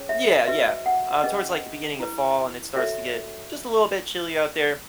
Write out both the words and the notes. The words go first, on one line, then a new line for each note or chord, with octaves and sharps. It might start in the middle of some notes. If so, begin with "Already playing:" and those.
Yeah, yeah, uh, towards, like, the beginning of fall, and it starts to get just a little bit chilly out there.
Already playing: C#4 G#4 C#5
E5
D#5
F#4 B4 E5
F#5
C#4 G#4 B4 D#5
E4 B4
F#4 A4 C#5 E5